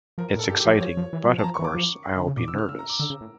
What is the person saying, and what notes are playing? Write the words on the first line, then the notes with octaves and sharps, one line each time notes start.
It's exciting but, of course, I'll be nervous.
F3 A#4
A#4
A2
A4
G2 G4
G4
F3
C#5
F3 C#5
F3
E3
G3
F3
A5
F3 A#5
C#6
E3
D6
F3
D3
C#3
A#2 D6
E6
C#3
F6
C#3 E6
A#5
D6
D3 E6
C#3
A2